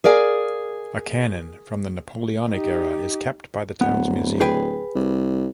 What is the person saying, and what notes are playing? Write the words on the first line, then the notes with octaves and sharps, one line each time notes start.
A cannon from the Napoleonic era is kept by the town's museum.
G#4 A#4 D5 F5 G#5
D#4 G4
D1 B3
G#4 B4 G5
C2